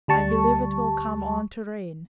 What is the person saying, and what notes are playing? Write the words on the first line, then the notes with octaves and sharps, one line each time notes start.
I believe it will come on to rain.
D2 G3 A5 C#6